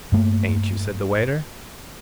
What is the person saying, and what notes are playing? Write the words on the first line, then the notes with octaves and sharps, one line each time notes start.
'Ain't you?' said the waiter.
G2 A3 A#3